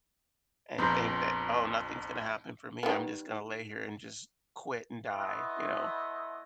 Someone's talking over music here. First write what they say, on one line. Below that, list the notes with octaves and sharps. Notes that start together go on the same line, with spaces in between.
and think that, "Oh, nothing's gonna happen for me, I'm just gonna lay here and just quit and die," you know?
A#1 F2 B3 A#5 C6 G6
D#3 G3 B3
A3 B3 E4 D#5 E5 C6